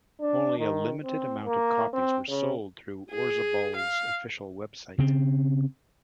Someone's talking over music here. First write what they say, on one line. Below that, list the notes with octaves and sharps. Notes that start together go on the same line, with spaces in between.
Only a limited amount of copies were sold through Orzabal's official website.
D4
D#3
C4
A#3
C4
C#3
G#4
F5
C#3 C4